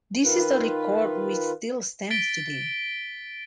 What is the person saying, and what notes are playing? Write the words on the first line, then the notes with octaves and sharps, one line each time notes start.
This is a record which still stands today.
D#3 F4 B4
A6 B6 D7 G7